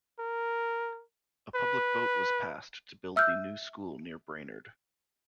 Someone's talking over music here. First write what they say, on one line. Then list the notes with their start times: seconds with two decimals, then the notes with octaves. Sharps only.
A public vote was passed to build the new school near Brainerd.
0.20 A#4
1.55 B4
3.16 E5 E6 F6 G6